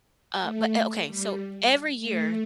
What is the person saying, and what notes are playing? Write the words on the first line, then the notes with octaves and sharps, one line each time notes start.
uh, but o okay, so, every year,
A3
G3
A3